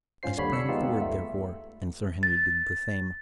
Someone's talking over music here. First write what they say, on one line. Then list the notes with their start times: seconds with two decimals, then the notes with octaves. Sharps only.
I sprang forward therefore, and Sir Henry did the same.
0.23 G2 C#4 F4 C5 C7
0.37 D#2 D3 G3 C#5 B5
0.53 E6 C#7
0.68 G3 G#3 B3 D#4 F4 G4
1.00 D2 A3 E5
2.23 A6